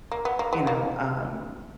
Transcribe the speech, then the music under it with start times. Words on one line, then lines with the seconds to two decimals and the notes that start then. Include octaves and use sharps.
you know, um
0.11 A#3
0.25 B3
0.39 A#3
0.53 B3
0.67 A#3